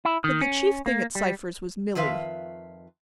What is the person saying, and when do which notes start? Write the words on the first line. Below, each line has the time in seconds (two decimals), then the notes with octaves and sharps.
But the chief thing at Cypher's was Milly.
0.05 E4
0.24 D#3
0.41 C#4
0.86 A#3
1.15 G3
1.95 F2 D#3 F4 B4 E5 F5